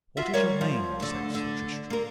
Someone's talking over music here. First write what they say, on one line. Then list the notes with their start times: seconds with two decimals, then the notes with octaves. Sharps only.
What is your name? said Sir Tristram.
0.17 F4 F#4 E5
0.34 G3 A#4 C#5
0.61 F3
1.00 D2 D3
1.35 D3
1.90 A#3 A#4